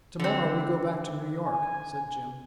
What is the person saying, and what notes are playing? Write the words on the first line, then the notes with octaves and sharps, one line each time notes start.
"To-morrow we go back to New York," said Jim.
D3 C4
G#5